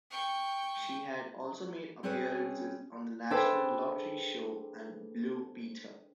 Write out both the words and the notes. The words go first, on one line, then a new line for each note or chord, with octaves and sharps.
She had also made appearances on the National Lottery Show and "Blue Peter".
G5 C#6
G3 C4 C#4 G#4 B4 C#5
D4 G#4 A4 B4 C5 G5